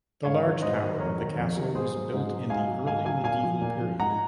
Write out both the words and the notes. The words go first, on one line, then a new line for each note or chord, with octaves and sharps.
The large tower of the castle was built in the early medieval period.
G#2 C#5 F5
D#3 F#3
G#2 C5 D#5
D#3 F#3
F2 A#4 C#5
D#3 F#3
F2
D#3 F#3
G#2 G#4 C5
F#3
G#2
F#3
G#2 F5 G#5
F#3
G#2 F5 G#5
F#3 F5 G#5
A#2 F5 G#5
F3
A#2
F3
G#2 F#5 A#5